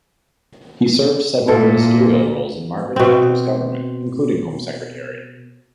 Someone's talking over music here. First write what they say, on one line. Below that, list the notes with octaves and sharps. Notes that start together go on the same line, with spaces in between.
He served several ministerial roles in Margaret Thatcher's government, including Home Secretary.
A#2 E4 F4 A4
B2 C4